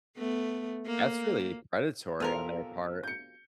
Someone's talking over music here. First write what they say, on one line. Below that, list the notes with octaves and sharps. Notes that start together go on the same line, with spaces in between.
That's really predatory on their part.
A3 B3
A#3
B1 C3 F3 A4 A#4 F7
G6 C#7